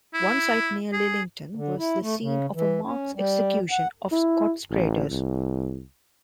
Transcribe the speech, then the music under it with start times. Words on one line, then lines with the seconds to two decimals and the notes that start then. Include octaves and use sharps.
One site near Lillington was the scene of a mass execution of Scots Traitors.
0.14 E4
0.93 G#4
1.55 D3
1.78 E4
2.02 A3
2.21 C#3
2.55 E3
2.85 C#4
3.15 G3
3.71 F#5
4.12 E4
4.71 A1
5.10 C2